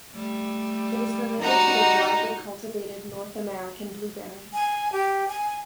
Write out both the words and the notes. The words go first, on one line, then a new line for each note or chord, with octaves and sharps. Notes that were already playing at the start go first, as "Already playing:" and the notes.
It is related to the widely cultivated North American blueberry.
G3 A3
G3 D#4 F#4 F#5 A#5
G#5
G4
G#5